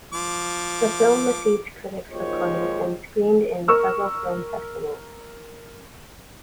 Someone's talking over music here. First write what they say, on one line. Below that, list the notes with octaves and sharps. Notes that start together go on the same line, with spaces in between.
The film received critics acclaim and screened in several film festivals.
F3 D6
G#1 D#2 F3 G#3 G4 C#5
A#4 C#6 E6 F6